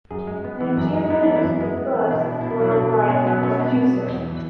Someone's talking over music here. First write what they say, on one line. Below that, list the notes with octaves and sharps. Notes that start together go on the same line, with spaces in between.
Nigeria is the first worldwide producer.
F#2 G#4
G#3
B3
E3
F#2
G#3
B3 E4
E3 D4
E4
F#2
G#3
B3
E3
B2 D4
E4
B3 D4
B2 E4
D4
F#3 E4
D4
B2
B3
B2 C#4
F#3 B3
B2 C#4
B3 D4
B2
F#3
E2
E3